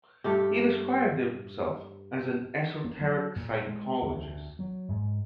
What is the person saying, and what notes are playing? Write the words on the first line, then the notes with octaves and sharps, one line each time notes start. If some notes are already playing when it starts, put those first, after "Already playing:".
He described himself as an "esoteric psychologist".
G2 A3 G4
A#3
F#3
A#2
G#3
D2
F#3
G#2